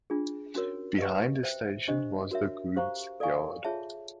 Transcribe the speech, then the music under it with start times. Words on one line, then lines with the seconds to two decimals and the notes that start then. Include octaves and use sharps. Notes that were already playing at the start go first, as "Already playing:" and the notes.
Behind the station was the goods yard.
0.10 D4 F4 G#4
0.55 C#4 F#4 A#4 C#5
0.98 G4 B4 D#5
1.43 C5 E5 G5
1.88 D4 G4 C5 D#5
2.31 F#4 A#4 C#5 E5
2.76 G4 C5 F5 A#5 C#6
3.20 A4 D5 F5 G#5 C#6
3.64 F4 G#4 C#5 E5 A5